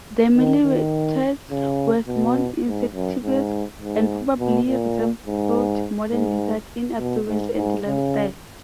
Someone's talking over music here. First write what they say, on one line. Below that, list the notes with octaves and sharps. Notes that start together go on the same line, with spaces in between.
The millerettids were small insectivores and probably resembled modern lizards in appearance and lifestyle.
D#3
D#3
C#3
B2
G#2
F#2
G#2
G#2
B2
A#2
G#2
G#2
B2
G#2
G#2
C#3